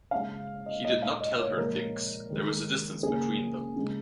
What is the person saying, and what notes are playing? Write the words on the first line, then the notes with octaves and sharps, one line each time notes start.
He did not tell her things; there was a distance between them.
C#3 G#3 F5
D#5
A#2 G#3 D#5
F5
D#5
C#5
A#2 F3 G#3 A#4
D#3 G#3
C#3 A#3 G#4
C#3 G#3